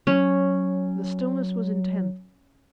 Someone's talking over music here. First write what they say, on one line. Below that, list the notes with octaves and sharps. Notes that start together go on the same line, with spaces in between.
The stillness was intense.
F#3 C#4